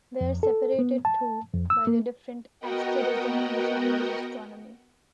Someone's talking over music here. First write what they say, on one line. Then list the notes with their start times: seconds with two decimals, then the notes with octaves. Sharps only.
They are separated too by the different asterism in Chinese astronomy.
0.21 F2
0.43 A4
0.79 B3
1.05 A5
1.53 F2
1.70 E6
1.87 A#3
2.59 B3 F#4 A#4 D#5 F#5 G5